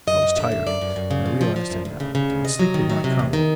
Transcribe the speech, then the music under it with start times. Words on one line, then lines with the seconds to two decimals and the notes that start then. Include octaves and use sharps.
I was tired; I realized it now. But sleep would not come.
0.07 F#2 D#5
0.22 F#2
0.36 D3 E5
0.52 F#2
0.66 F#2 D5
0.81 F#2
0.96 F#2
1.11 C#3
1.26 F3
1.41 F3
1.56 F3
1.70 F#2
1.85 D2
2.00 C#3
2.15 C#3
2.30 D2
2.44 C3 D#5
2.59 F#3
2.74 D#3
2.90 F#3
3.04 C3
3.19 E2
3.33 D#3